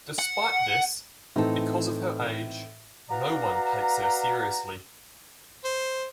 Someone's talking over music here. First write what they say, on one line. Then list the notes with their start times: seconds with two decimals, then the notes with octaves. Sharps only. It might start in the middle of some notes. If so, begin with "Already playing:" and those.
Despite this, because of her age, no one takes her seriously.
0.19 F#5
1.36 A2 E3 C4 D#4 A4
3.09 F#4 B4 D5 F5 A#5
5.65 C5